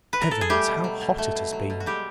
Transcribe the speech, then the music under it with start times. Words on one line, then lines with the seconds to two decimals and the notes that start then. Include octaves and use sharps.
'Heavens! how hot it has been.
0.13 B4
0.22 A#4
0.31 A4
0.41 G#4
0.50 G3 A3 G4
0.67 B2
0.84 F#3
1.01 B2
1.18 A3
1.35 B2
1.52 F#3
1.70 B2
1.80 F#4
1.86 G3 G#3 G4